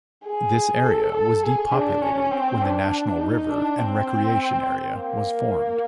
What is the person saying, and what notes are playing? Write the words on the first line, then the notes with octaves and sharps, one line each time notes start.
This area was depopulated when the National River and Recreation Area was formed.
G#4
A4
A4
G#4
D4
C#4
C4
D4
D#4
D4
C4
A#3